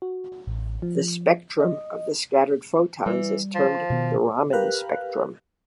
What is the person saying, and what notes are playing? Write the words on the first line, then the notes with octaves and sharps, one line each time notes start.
The spectrum of the scattered photons is termed the Raman spectrum.
F#4
A1
F3
D#5
E3 G3
F3
B2 D#3 B3
G4 A#4 B4 F5 F#6